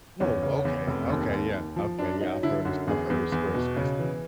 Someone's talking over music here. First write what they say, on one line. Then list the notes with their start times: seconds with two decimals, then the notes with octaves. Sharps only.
Oh, okay. Okay, yeah. Okay, yeah. I've heard of I've heard of Squarespace.
0.20 E2 C#4
0.43 C#3
0.65 E2
0.87 F1
1.10 D#2
1.32 D#2
1.54 D#2
1.76 F3
1.98 F#2 D4
2.21 F#3 D#4
2.43 D3 E4
2.65 F#2 F#4
2.87 E2 G#4
3.10 E2
3.32 E2
3.54 B2
3.76 C#3
3.99 E3